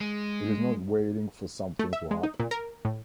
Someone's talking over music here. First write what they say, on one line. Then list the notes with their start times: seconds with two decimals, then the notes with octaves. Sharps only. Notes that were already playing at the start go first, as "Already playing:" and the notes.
It is not waiting for something to happen.
0.01 G#3
1.79 A3
1.93 E5
2.11 G#3
2.23 D#4
2.40 A#2
2.51 A#4
2.85 A2